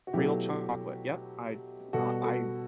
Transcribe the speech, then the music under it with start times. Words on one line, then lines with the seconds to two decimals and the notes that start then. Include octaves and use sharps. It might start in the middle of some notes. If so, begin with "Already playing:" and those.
real chocolate. Yep. I I I
0.07 F#4
0.13 B2 F#3 A3 E4 G4
1.93 B2 G3 F#4 A4
2.24 F#4 A4